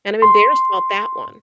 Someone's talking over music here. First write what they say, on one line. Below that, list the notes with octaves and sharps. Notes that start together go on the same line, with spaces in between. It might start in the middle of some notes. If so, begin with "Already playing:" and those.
and I'm embarrassed about that one.
C6